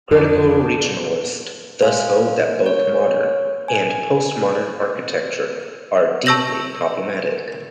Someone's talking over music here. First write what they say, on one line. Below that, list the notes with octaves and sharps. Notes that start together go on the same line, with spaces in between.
Critical Regionalists thus hold that both modern and post-modern architecture are "deeply problematic".
F2 D4
G#3 F5
C#5
G#5
A5 C#6 E6 G6 A#6 F#7